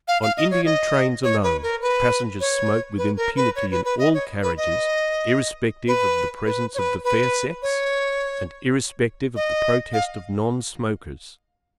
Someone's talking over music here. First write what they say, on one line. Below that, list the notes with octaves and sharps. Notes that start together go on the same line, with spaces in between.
On Indian trains alone passengers smoke with impunity in all carriages irrespective of the presence of the fair sex and irrespective of the protest of non-smokers.
F5
F5
D#5
C#5
D#5
C#5
B4
A#4
B4
C#5
B4
A#4
B4
C#5
B4
B4
D#5
C#5
B4
D#5
B4
B4
C#5
B4
B4
C#5
D#5
F5